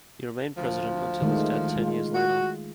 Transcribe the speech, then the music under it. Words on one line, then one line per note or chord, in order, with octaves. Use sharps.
He remained president until his death ten years later.
D2 F3
D#3 G#3 A3
G#3 F4
F#4